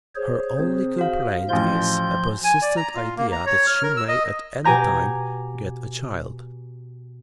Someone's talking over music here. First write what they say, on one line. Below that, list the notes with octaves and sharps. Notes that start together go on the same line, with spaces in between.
Her only complaint is a persistent idea that she may at any time get a child.
G#4 C5 C#5
C3 G#4 C5
F#4 F5
A1 F3 F4 C6 G6
G#5
D5
A#5
F4
A#3
A#5
C#5
F6
A#4
E6
D#5
B2 G4 G#5 A#5 G6